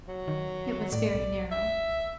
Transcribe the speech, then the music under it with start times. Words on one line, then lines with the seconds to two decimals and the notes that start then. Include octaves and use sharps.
It was very narrow.
0.08 F#3
0.28 D#3
0.92 A2 D5
1.14 B1
1.51 E5